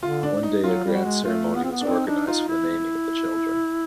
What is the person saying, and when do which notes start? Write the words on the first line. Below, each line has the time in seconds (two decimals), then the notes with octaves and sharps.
One day, a grand ceremony was organized for the naming of the children.
0.03 D3 F4
0.23 D4
0.43 D#4
0.63 F#3 F4
0.84 G3
0.94 F#4
1.04 G#3
1.25 A3 F4
1.55 B3
1.64 C4
1.72 B3
1.81 D4
1.86 C4 D#4
2.07 D4 D#4
2.27 D#4 F4
2.49 E4